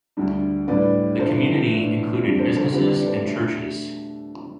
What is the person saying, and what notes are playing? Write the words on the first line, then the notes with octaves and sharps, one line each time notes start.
The community included businesses and churches.
D2 D3 G3 D4
A2 G3 D4 B4 D5
G2 E3 B3 D4 A4 C5
A2 E3 A3 D4
F2 D3 G3
A4 C5
A4 C5
F2 E3 G3 B3 D4 G4 B4
B4 D5
A4 C5
B2 A3 D4